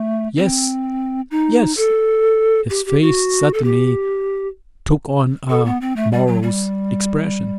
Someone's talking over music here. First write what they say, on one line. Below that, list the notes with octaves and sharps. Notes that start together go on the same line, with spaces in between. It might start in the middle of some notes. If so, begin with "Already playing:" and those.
"Yes... yes..." His face suddenly took on a morose expression.
Already playing: A3
C4
D#4
A4
G4
G4
F#4
A4
G4
A4
B3
C4
A3
G3
F#3
G3